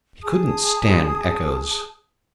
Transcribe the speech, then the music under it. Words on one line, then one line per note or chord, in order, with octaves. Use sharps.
He couldn't stand echoes.
G#4 A5 D#6